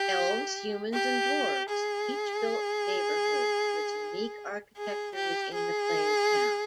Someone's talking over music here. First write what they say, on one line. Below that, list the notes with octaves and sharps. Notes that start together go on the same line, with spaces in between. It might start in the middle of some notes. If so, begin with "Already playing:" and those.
Elves, humans and dwarves each built neighborhoods with unique architecture within the player's town.
Already playing: G4
G4
G#4
G#4
G4
G#4